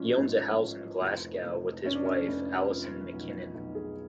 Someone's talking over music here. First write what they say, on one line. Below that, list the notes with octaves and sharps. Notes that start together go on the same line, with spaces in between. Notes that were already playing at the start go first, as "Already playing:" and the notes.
He owns a house in Glasgow with his wife, Alison McKinnon.
Already playing: A1 F3 C#4
G#2
F3
F1
F1
F1 C#4
D4
C#4
F1
F3
B1
B1
G#4